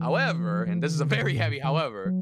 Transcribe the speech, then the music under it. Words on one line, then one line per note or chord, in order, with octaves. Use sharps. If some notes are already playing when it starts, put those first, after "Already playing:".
however, and this is a very heavy however,
Already playing: E3
F3
E3
F3
F3
E3
D#3
C#3
C#3
A2
D#3
F#3